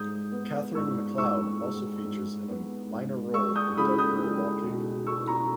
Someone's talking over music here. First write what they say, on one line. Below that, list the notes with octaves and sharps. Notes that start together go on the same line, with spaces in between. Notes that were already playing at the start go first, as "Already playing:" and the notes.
Catherine McLeod also features in a minor role in "Dead Girl Walking".
Already playing: G#2 D#6 G6
B3
G#2 C#6 E6
G#2 C#6 E6
G#2
G#2
B3
G#2
G#3 C#6 E6
D#6 G6
C#2 B5 D#6
D#6 G6
G#3
B2
B2 C#6 E6
A#5 C#6